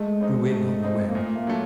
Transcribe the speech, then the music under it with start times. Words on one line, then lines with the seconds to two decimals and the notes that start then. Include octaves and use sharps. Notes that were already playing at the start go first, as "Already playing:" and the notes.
It drew in on the web.
Already playing: G#3 A3
0.21 C4 D#4
0.51 A3
0.83 C4 D#4
1.09 A#3
1.15 A#2 A3
1.35 A#3
1.47 F#3 A3